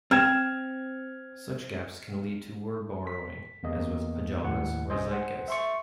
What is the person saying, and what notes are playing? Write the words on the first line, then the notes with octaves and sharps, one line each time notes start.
Such gaps can lead to word borrowing, as with pajamas or Zeitgeist.
C4 F6 G#6 E7
B6
E2 A#3 D#5
D#2 A2 F#5
C2 C5 D#5 G#5
C5 F#5 G#5
E5 C6 C#6